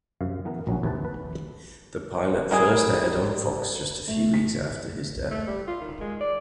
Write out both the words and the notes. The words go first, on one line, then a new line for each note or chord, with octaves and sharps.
The pilot first aired on Fox just a few weeks after his death.
F#2 C3 F5
E3 B3 A#4
A#1 F#3 C#4 F#4
D#2 C3 B4 A5
B4
G3 A#3 G#4
A3
B6
A3
G3
F4
D#3
G#3
D5